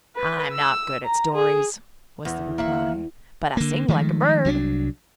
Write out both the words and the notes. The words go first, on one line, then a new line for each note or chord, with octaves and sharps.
"I'm not good at stories," was the reply; "but I sing like a bird."
B4
E6
A#5
G#4
E2
A#3 E5 F#5
D3 A#3
D#3 F3 G#3 A3
C2 F#3 C4 D4